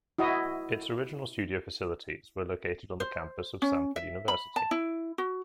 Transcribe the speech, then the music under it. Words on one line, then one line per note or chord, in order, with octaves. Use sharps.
Its original studio facilities were located on the campus of Samford University.
E4 F#4 D#5
C5
C#4
E5
B5
A5
E4
F#4